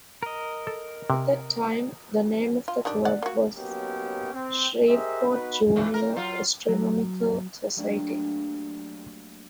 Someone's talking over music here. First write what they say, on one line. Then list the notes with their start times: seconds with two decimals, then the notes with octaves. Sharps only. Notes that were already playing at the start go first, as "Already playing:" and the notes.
At that time, the name of the club was the Shreveport Junior Astronomical Society.
0.23 A#4 D#5
0.67 A4
1.10 C3
2.68 F4
2.85 D#3 G3 D4
3.05 D5 F#5
3.23 A#3 F#4
3.56 F#3 A#3 B3 C#4 D#4 G4
4.33 C4
4.87 G4 G#4 A#4 C5 D#5 E5
5.28 B3 D#4 F#4 B4
5.76 E2 G2 E3
5.94 A#4
6.17 F#3 F4
6.69 F#3
7.76 F#3 G3 A3 A#3 D4